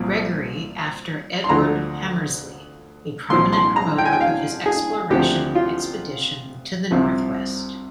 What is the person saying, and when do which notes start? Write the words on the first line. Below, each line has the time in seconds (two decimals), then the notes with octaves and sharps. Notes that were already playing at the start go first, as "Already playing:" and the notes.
Gregory after Edward Hamersley, a prominent promoter of his exploration expedition to the Northwest.
Already playing: C2 A#2 F3
1.44 C6
1.49 D2 D3 F3 A#5
3.30 C2 A#2 F3 C6
3.53 C6
3.76 A#5
3.98 G5
4.05 G#5
4.13 G5
4.21 F5
4.66 G#4
5.10 D2 C3 F3 G4
5.55 F4
6.91 C2 C3 F3